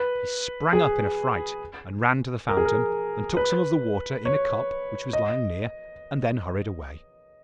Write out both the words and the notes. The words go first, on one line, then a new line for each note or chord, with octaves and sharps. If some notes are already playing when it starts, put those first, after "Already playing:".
He sprang up in a fright, and ran to the fountain, and took some of the water in a cup which was lying near, and then hurried away.
Already playing: B4
G#4
A#4
G#4
A#4
B4
C#5
D#5